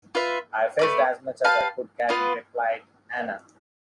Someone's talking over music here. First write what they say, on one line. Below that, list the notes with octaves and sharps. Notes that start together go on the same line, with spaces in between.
"I fetched as much as I could carry," replied Anna.
F4 B4 E5
A3 E4 B4 D5
G4 B4 F5 A5
B3 F4 B4